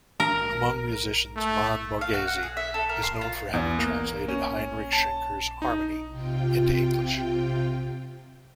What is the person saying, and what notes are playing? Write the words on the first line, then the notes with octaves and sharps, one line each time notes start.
Among musicians, Mann Borgese is known for having translated Heinrich Schenker's "Harmony" into English.
A#4
A3
F5
F#4
F#5
G#4
E5
A4
A#4
C6
F4
E2
A#3
C#4
A5
D#4
C3 F4 G5